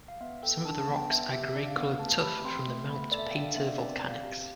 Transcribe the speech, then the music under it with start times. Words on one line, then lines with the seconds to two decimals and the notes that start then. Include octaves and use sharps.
Some of the rocks are grey coloured tuff from the Mount Painter Volcanics.
0.08 F5
0.21 B3 E5
0.43 A4 G5
0.65 D4 A5
0.81 A5
0.88 B3
0.96 G5
1.10 B3 E5
1.32 G4 E5
1.55 D4 D5
1.67 F5
1.77 B3 F5
1.99 A3 A5
2.22 G4 B5
2.44 C4 C6
2.68 A3
2.89 B3 B5
3.12 A4 D5
3.18 E5
3.27 F5
3.35 D4 G5
3.46 F5
3.56 B3 E5
3.68 D5
3.79 C4 D5
3.94 D5
4.01 C4
4.09 F5
4.24 G4 F5